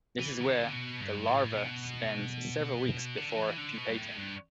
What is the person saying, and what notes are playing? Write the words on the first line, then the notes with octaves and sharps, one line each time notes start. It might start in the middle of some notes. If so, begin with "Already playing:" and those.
This is where the larva spends several weeks before pupating.
E3
B2
D3
B2
G2
A2
B2
D3
E3
D3
B2
G2
A2
G2